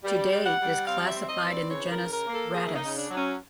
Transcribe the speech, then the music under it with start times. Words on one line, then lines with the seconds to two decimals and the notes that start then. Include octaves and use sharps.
Today it is classified in the genus "Rattus".
0.04 G3
0.32 G3
0.46 F#5
0.59 G3
0.87 C4 F5
1.08 E5
1.16 C4
1.22 E5
1.29 D#5
1.44 E3
1.50 D5
1.71 C#3 C#5
1.92 A#4
1.98 C#3
2.13 A#4
2.27 A#3
2.34 A4
2.55 A#3 G#4
2.66 E4
2.76 D#4
2.83 C#3
2.97 D4
3.10 F#3
3.17 C#4